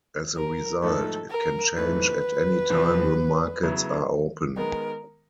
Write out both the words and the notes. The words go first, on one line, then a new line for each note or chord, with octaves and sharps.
As a result, it can change at any time the markets are open.
A#4
G#2 F3 A3 A4
A#4
G#2 E3 A3 C4 B4
E2 C3 F3
C#3 F#3 B3 E4
D#3 G#3 B3 A#4